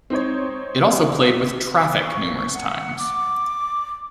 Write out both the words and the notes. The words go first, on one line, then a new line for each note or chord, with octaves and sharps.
It also played with Traffic numerous times.
C4 D#4 C5 C#5
C#6
F#5
D6